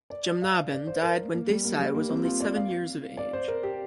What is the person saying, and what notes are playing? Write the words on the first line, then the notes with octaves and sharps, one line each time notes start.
Jamnabehn died when Desai was only seven years of age.
D5
F5
D5
C5
A#4
A#3
G3
A#3
G3
A#3
C4
F4
D5
F5
D5
C5
A#4
G4